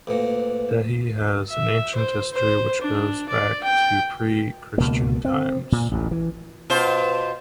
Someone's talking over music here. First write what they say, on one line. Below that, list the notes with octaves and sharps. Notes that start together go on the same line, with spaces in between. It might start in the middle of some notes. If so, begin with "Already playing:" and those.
Dehi has an ancient history which goes back to pre-Christian times.
D2 A#2 B4
E5
C5
C5
D4
D5
G5
C#2 B2 A#3
C4
A#2
A1 D2
E3
B2 F4 C5